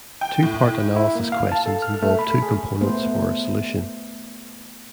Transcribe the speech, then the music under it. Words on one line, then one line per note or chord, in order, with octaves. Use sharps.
Two-part analysis questions involve two components for a solution.
G5
A2
E4
A#3
F5
A5
A4
F6
A3
B5
G#4
A3 B3 C5